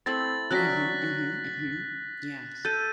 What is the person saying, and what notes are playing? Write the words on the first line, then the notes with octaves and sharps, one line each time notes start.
Mhm, mhm, mhm. Yes.
A3 C4 E4 A6 F#7
F#3 C#4 D5 F#6 A#6 B6
A4 G6 D#7